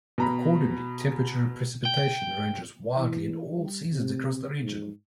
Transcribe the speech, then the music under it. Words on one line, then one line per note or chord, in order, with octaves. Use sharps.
Accordingly, temperature and precipitation ranges wildly in all seasons across the region.
B2 A#5 B5
G5
E3
G3
C3
G#2